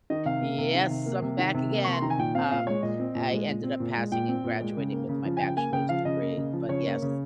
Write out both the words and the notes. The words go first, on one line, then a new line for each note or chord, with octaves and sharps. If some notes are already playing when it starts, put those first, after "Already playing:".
"Yes, I'm back again." Um, I ended up passing and graduating with my bachelor's degree, but yes.
D#3 D#5
C3 F5
A#3
C3
D#3
C3
A#3
C3
D#3
C3
A#3
C3 C#6
C6
D#3 A#5
G#5
A#2 G5
C4 F5
A#2 F5
G#3 C#5
A#2 D#5
C4
A#2
G#3
A#2
C4
A#2
G#3
A#2 G5
C4
A#2
G#3
C#3
A#3
C#3
F3
G#5
C#3 G5
A#3 G#5
C#3 G5
F3 F5
C#3 D#5
A#3
C#3
F3
C#3 C#5
A#3
C#3